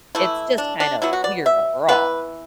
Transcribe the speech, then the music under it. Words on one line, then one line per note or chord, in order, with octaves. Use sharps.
it's just kind of weird overall.
E3 A3 E4
D4
D4
B2 F#3 B3 E4
F#4
D5
E5
E3 B3 B4